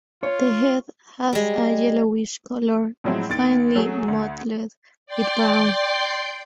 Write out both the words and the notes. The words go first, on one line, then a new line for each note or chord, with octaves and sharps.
The head has a yellowish colour, finely mottled with brown.
F4 C#5
G3 G#3
A2 F3 F#3 G#3 C4 E4
D#2 D#3 A6 D7
F#3 A3 G#4
D2
D5 G5 C6 D6 C7